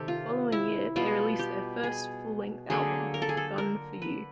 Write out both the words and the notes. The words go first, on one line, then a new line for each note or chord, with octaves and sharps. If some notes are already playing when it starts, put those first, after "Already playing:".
The following year they released their first full-length album, "Gun For You".
Already playing: C3 D#3 G4 A4
F4
E4
B2 G3 B3 F4
G4
G#4
D3 F#3 A#3 G#4
A#4
A4
G#4
A4
A#4
B4